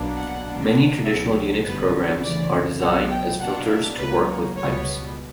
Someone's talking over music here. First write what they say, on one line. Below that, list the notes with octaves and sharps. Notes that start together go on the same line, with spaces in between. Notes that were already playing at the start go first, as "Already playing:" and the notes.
Many traditional Unix programs are designed as filters to work with pipes.
Already playing: B1 B2 F#3 A#3 D4
F#5
B2 A#3 D4
C#2 B2 F#3 E5
G1 G2 D3 G3 B3 B4
D2 C#3 E3 D5
B1 B2 F#3 F#5
G5
B2 A#3 D4 F#5
E5
C#2 C#3 F#3 A#3 B4
C#5
C#2 B2 G3 B3 C#5